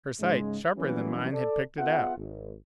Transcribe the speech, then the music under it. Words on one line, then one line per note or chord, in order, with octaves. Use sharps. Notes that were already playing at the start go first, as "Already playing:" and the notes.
Her sight, sharper than mine, had picked it out.
G#2 C#3 G#3
E3 F#3 G3 A#3 B3 C#4
A4 D5
B3 F4 G#4 E5 F#5
G#1